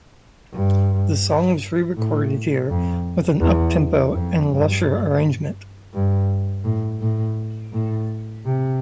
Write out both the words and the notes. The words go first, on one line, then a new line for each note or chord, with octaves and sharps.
The song was re-recorded here with an uptempo and lusher arrangement.
G2
A2
F2
E2
F2
G2
G2
A2
A2
A2
C3